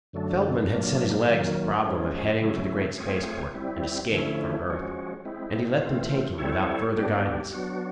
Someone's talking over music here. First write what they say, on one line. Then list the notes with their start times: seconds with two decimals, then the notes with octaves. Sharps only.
Feldman had set his legs the problem of heading for the great spaceport and escape from Earth, and he let them take him without further guidance.
0.13 F#2 D3 F#3 A3 D4
0.70 A#2 F#3 A#3 D4
1.27 D#3 F#3 A#3
1.85 F3 G#3 C#4
2.41 C#3 F#3 A3 C#4 E4
2.98 A3 C4 F4 G#4 C#5
3.54 G3 C4 E4
4.11 D3 F3 A3 C#4 E4
4.68 F3 G#3 C#4 F#4
5.25 G#3 C4 E4
5.81 E3 A3 C4 F4
6.38 G3 C4 E4 A4 C#5
6.95 G3 B3 D4 G4
7.52 F#3 B3 D4 F#4